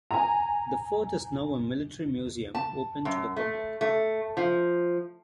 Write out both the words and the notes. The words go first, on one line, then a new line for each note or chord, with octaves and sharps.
The fort is now a military museum open to the public.
G#5 A#5
A5
F#2
A3
A3
F3